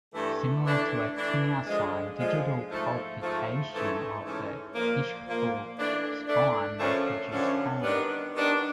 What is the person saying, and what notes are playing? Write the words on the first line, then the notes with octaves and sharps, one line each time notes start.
Similar to a tinel sign digital palpitation of the ischial spine may produce pain.
G2 E3 A3
E3 A3 D4
E3 A3 D4
D3 F3 G#3
D3 F3 G#3
G#2 F3 A3
G#2 F3 A3
G#2 E3 A3 C#4
G#2 E3 A3 C#4
A#2 F3 A#3
A#2 F3 A#3
E3 A3 D4
E3 A3 D4
F#2 D3 F3 A3 C#4
F#2 D3 F3 A3 C#4
D#3 G3 B3 D4
D#3 G3 B3 D4